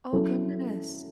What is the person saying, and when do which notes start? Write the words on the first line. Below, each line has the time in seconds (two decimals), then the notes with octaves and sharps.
Oh, goodness.
0.13 F#3 C#4 E4 A4